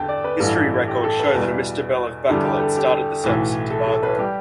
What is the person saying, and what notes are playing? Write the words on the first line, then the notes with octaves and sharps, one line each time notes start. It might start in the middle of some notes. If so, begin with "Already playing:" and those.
History records show that a Mr. Bell of Bacolet started the service in Tobago.
Already playing: E2 D3 G5 A5
D5
B4
A1 G2 E3 G3 A4
A4
G4
A4
B4
E2 B2 G3
E2 D3 G3 A4
G4
A4
G4
B1 A2 E3
A4
A4
B4
G3 G4